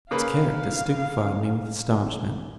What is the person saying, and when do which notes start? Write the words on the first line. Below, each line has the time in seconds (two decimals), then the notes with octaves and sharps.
Its character stupefied me with astonishment.
0.11 C#3 A#3 B4 F5